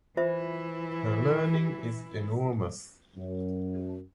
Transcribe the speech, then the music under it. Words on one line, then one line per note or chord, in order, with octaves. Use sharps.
Her learning is enormous.
E3 E4 F4 C5 E5
F#2